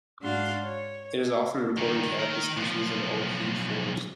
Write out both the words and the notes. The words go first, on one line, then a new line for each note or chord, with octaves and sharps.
It is often an important canopy species in an oak-heath forest.
G#2 D4 F#4 F5 C6
C#5
G2 D#3
D#3 A#4
B1 F3